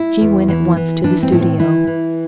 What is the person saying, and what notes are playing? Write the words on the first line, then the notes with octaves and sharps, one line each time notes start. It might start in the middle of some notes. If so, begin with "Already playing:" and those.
She went at once to the studio.
Already playing: E4
E2
E3
E3
E3 D4
C4
A2
C4
E3 E4
E3